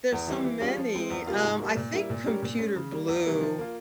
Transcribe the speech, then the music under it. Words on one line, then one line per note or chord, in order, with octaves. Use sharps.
there's so many. Um, I think Computer Blue
E2
E3 G3 C4 G4
E3
G3 C#4 F4 G#4
F3
G#3 C4
E2
C3 G3 A#3 F4
G#2
G3 A#3
A#2
G3 A#3 E4
A#2
G3 C#4 G4 A#4
A#2
G#3 C#4
C#3
G3 A#3
E2
C3 E3 G3 A#3
F3
A#3 F4